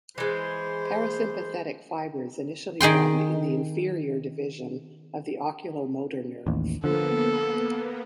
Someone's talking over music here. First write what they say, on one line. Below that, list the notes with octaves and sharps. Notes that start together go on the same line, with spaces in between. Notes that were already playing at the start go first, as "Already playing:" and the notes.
Parasympathetic fibers initially run in the "inferior division" of the oculomotor nerve.
E3 G#3 C5
D#3 G#4 G5 C6
A1 D#2
D3 F3 A#3 B3 A4